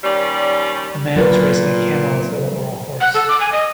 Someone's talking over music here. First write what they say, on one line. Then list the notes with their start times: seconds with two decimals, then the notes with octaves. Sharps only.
A man is racing a camel as though it were a horse.
0.04 D#2 G3 C#4 D5
1.16 A#2 F#3 A#4 B4
3.01 F#5
3.14 A4
3.29 D6
3.40 G#5
3.52 D#5